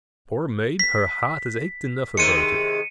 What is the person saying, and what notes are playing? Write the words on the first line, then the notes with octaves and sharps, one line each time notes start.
Poor maid, her heart has ached enough about it.
B6
C3 D#3 G#3 C#7 D#7